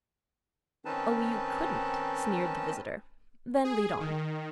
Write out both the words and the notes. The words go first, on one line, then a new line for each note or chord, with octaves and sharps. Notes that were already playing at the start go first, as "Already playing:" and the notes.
"Oh, you couldn't," sneered the visitor; "then lead on!"
D#3 C4 C#4 D#4 B4 A5
G#4
D#3